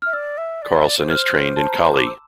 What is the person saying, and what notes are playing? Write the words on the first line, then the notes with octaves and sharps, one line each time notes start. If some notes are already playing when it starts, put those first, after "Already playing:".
Carlson is trained in Kali.
E5 F6
D5 E6
E5
D5
E5
D5
C5
F6
A5
A#5
C6
D6
E6